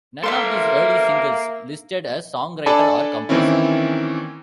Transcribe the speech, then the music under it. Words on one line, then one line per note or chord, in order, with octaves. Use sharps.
None of these early singles listed a songwriter or composer.
A#3 A4 B4 E5 F5 C6
D4 A4 D5 G#5 A5 B5
D#3 E3 A#3 C4 C#4 E4